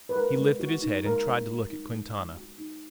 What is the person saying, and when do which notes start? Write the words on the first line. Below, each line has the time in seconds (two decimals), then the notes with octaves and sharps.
He lifted his head and tried to look at Quintana.
0.09 B4
0.16 G#3 A#4
0.38 G#3
0.60 F#4
0.82 D#4
1.04 G#3 A#4
1.26 G#3
1.48 F#4
1.70 D#4
1.92 G#3
2.15 G#3
2.37 F#4
2.58 D#4